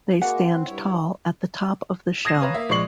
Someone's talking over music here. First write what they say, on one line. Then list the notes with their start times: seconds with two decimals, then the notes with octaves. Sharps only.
They stand tall at the top of the shell.
0.22 G#3 A#3 F#4 F#5
0.42 C4
0.67 G2 E4 C#5
2.25 D#6 G#6 A#6 C7 E7
2.41 B4 C#5 F5 A#5 B5
2.54 A#3 E5
2.69 A#1 G#3 D5 C#6 C7 F#7